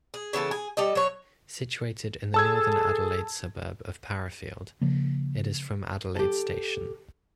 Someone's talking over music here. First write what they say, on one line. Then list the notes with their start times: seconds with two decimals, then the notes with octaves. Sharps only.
Situated in the northern Adelaide suburb of Parafield, It is from Adelaide station.
0.14 G#4
0.33 C#3 E3 B3 A4
0.51 G#4
0.77 G3 A4 D#5
0.95 F#3 C#5
2.34 G#4 A4 A5 E6 G#6
4.82 C#3 F3 A#3
6.16 G4 A4